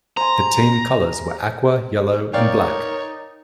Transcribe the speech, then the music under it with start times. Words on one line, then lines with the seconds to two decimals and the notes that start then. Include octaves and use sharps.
The team colours were aqua, yellow and black.
0.17 C5 G#5 A#5
2.33 D#4 A#4 C#5 D5 F5 G5